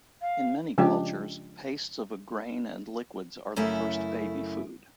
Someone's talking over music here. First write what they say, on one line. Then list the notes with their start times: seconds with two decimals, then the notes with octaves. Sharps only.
In many cultures, pastes of a grain and liquids are the first baby food.
0.21 F5
0.78 C#3 F3 G#3 D4 G4
3.56 F#2 C#3 A3 E4